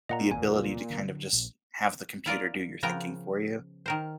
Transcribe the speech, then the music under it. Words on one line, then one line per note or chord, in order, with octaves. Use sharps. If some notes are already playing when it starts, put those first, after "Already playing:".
the ability to kind of just have the computer do your thinking for you,
A#2 D#5 F#5 A#5
D1 G1 B2 G#5
D3 F#3
A#1
E4 F4 A#4 D5
C#3 F3 B3 A#4 G5 A#5
D#3 A#4 C5